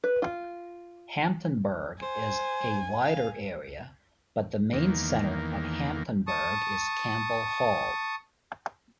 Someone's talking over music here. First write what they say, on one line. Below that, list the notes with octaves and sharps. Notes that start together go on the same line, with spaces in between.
Hamptonburgh is a wider area, but the main center of Hamptonburgh is Campbell Hall.
B4
F4
C5 G#5
F5
E2 D#3 A#3
A5 C#6 D#6